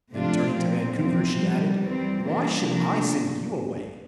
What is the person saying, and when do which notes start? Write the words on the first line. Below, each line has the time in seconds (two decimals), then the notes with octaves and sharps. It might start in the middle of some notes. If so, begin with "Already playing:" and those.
Then turning to Vancouver, she added, "Why should I send you away?"
0.12 C3 F3 A3 D4 F4
0.54 A#2 F3 C4
0.97 E2 C3 F3 C4
1.38 F2 C3 G3
1.81 E3 G3 C4
2.23 E3 G3 A#3 D4
2.65 C3 F3 A#3 D4